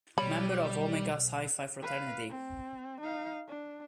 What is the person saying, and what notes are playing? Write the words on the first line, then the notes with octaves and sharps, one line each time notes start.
Member of Omega Psi Phi fraternity.
B1 G3 C#5 B5
B4 F5
C4
D#4 F5
D4